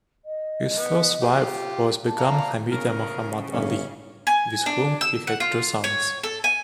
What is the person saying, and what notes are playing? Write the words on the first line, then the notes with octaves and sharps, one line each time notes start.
His first wife was Begum Hamida Mohammad Ali, with whom he had two sons.
D#5
B3
F4 G4
A5
D5 F5 A#5
C#3 A#4
G1 C#4
G#5
D4
E6
F#5
F4
C#5
A4
G#5